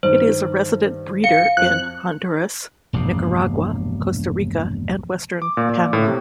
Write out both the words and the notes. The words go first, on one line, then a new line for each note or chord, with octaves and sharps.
It is a resident breeder in Honduras, Nicaragua, Costa Rica and western Panama.
G2 D#3 C5
F5 C#7
F2 F#6
E1 A#1 G2 C3
D6
A#2
A#2
A2
C3